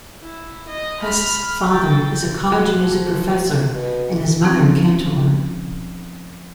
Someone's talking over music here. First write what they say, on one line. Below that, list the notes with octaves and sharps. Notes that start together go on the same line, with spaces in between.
Hest's father is a college music professor and his mother a cantor.
E4
D#5
B5 F6
G5 A6
F#3
F3
B2
F3 C4 C#4 D#4 E4